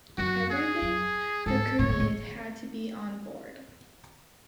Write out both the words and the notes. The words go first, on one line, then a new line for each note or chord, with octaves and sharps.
Everything the crew needed had to be on board.
F#2 F#4
G#4
F#2
G#2 A4
A2 C#5
A2
A2